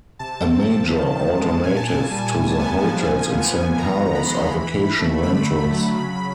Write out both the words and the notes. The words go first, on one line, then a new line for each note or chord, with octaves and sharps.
A major alternative to the hotels in San Carlos are vacation rentals.
C3 A5
C4
F3
D#3
D#3
G#3
A#2 G#5
A5
A#2 G#5
A5
G3
G#5
A2 G#5
A5
B3 G#5
F3
A#2
B3
F3
D#3 A#5
D#3
B5
G#3 C6
B5
E3
E3
A3
D3 B5
D3
F#3
C#3